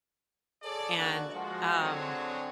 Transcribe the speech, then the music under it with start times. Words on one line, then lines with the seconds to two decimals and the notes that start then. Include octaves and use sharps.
and, um
0.62 G#4 A4 C#5 D5
0.96 D3 A#3 D4 F#4
1.33 F3 G#3 F#4
1.81 D3 F#3 C4 G#4 C#5